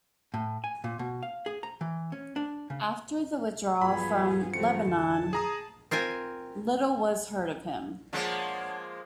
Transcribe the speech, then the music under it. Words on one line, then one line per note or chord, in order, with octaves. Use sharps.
After the withdrawal from Lebanon little was heard of him.
A2
G#5
A#2
B2
F5
G#4
A#5
E3
C#4
D4
C#3
G2 F3 F#3 B3 F4 G#4 B5
E3 A3 C4 C#7
F2 D3 A5
G#4 A#5 D#6
C4 F4 A#4 G#5
F3 G#3 A#3 D4 C#5 F#5